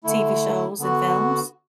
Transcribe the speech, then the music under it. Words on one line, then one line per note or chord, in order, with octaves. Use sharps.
TV shows and films.
D3 A3 E4
D3 B3 F#4